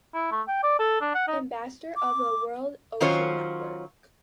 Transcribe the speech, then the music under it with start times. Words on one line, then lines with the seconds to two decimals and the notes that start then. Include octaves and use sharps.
Ambassador of the World Ocean Network.
0.14 E4
0.32 A3
0.48 G5
0.63 D5
0.79 A4
1.01 D4
1.14 F#5
1.28 D#4
1.96 D6
3.00 D#3 F#3 C#4 F4 C5 C#5